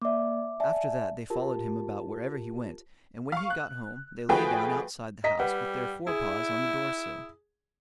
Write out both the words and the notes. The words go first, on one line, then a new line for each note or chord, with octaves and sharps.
After that they followed him about wherever he went, and when he got home, they lay down outside the house, with their fore-paws on the door sill.
A#3 D5 E5 D6
D5 E5 G#5 A5
F4 G4 A#4 A5
F5 C#6
F#6
F3 A3 F#4 G#4 B4 G5
D#5 A#5 B6
G3 B4 F#5 G5
E4 G#4